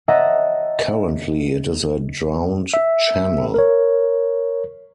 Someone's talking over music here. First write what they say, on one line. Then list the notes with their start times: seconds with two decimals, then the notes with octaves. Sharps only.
Currently it is a drowned channel.
0.08 C#5 D#5 E5 F#5 A5 A#5
2.74 E5
3.54 A#4 C#5